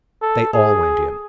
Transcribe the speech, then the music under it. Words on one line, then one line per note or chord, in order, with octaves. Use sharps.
They all went in.
A4
G#4